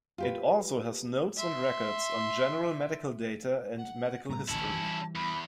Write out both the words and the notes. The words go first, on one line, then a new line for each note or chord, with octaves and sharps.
It also has notes and records on general medical data and medical history.
F4 G4 B4
E5 C6
F#5
A2 G3 B3 A#5
D1 A1 C#4 E4 A5
E3 G3
E2 B5